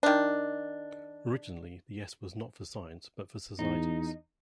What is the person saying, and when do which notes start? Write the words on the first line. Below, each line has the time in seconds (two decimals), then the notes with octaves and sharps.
Originally the 'S' was not for science but for Societies.
0.03 D#3 D4
3.59 E2 D#4